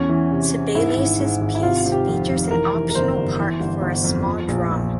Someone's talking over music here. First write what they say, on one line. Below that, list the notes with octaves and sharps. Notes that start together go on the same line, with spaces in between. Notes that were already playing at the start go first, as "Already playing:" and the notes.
Sibelius’ piece features an optional part for a small drum.
Already playing: E2 C#4
E3
C3
C3
G#2 E4
G#1
G#2
G#1
E4
C3 F4
C3
G4
F2
F1
E3 A#4
E3
A#4
G1 C5
G1
E3
G1
G1
F2
F3
A#1
A#1